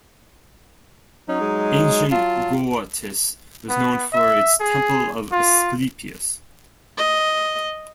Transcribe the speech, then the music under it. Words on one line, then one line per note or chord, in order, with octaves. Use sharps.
Ancient Gortys was known for its Temple of Asclepius.
F#3 C#4 D#4
G#3
F#3 F4 A5
B3
E5
G#4
F4
D#5